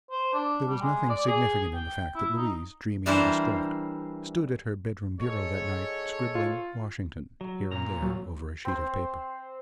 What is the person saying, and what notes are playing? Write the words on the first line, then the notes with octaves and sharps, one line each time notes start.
There was nothing significant in the fact that Louise, dreamy and distraught, stood at her bedroom bureau that night, scribbling "Washington" here and there over a sheet of paper.
C5
D4
G3
G#3
D5
G#4
G5
E4
D#4
E3 G3 D4 E4 A#4 C5
G#2 A4 C#5
F4
F#3
A#2 A#5
F#3
C4 C5